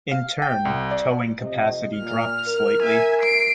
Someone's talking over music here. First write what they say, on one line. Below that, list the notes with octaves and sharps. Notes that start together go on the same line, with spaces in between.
In turn, towing capacity dropped slightly.
F5
G5
C2
D5
F2 C3 D#5
A#2 F6
A#4
E5 G#5
C7 D7